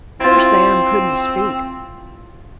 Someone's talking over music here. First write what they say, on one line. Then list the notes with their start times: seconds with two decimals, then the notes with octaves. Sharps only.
Poor Sam couldn't speak.
0.20 C4 E4 F4